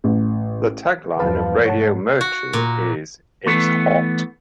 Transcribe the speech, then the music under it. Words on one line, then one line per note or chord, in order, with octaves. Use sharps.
The tagline of Radio Mirchi is "It's hot!".
A1
E2 G2 F3 B4 F5 A5
F1 G#2 C#5 F#5 A5
F#4
A#2
E3 A3 B3